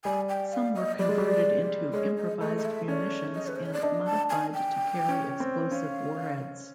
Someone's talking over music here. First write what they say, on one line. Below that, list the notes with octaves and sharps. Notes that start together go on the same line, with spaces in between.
Some were converted into improvised munitions and modified to carry explosive warheads.
G3 G#5
G5
F5
D#5
G3 D5
G#3
G3
G#3 C#5
D#5
A3 D#5
D#5
E5
C#4 D5
D#5
B4
C5
C#5
D5
D4 D#5
A5
G#5
G5
C#4
C4
C#4 F5